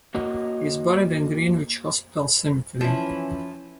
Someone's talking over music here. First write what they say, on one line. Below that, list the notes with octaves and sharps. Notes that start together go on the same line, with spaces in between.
He is buried in Greenwich Hospital Cemetery.
A#3 F#4 A#4 C#5 D#5
E3 F3 C#4 E4